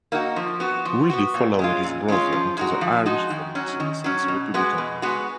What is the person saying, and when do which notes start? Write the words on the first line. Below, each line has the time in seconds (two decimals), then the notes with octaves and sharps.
Willie followed his brother into the Irish Volunteers and the Republican movement.
0.12 A#3 D#4 F#4
0.36 F3
0.60 B3 F#4
0.85 F3
1.10 B3 F#4
1.34 A#2
1.59 G#3 C#4 F4
1.84 A#2
2.08 G#3 C#4 F4
2.32 F3
2.57 G#3 D#4 F#4
2.81 F3
3.06 G#3 D#4 F#4
3.30 D#3
3.55 F#3 C#4
3.80 D#3
4.04 F#3 C#4
4.28 B2
4.54 G#3 B3 F#4
4.78 B2
5.02 G#3 B3 F#4